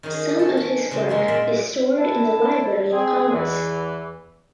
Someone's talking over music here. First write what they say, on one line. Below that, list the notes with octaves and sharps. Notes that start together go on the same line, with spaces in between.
Some of his work is stored in the Library of Congress.
D#3 C#4 G#4
C#4 A4
C#4
C#3 G#3
C3 G#3 A#3 C#4
A#2 G#3 D5 E5
D4 E4 A5
C4 G#4
E2 E3